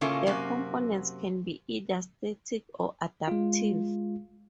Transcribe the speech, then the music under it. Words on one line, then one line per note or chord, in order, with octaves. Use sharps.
The components can be either static or adaptive.
A2 C#3 A3 A#3 C#4 F4
F#2 C3 A#3 F#4
G#3 F4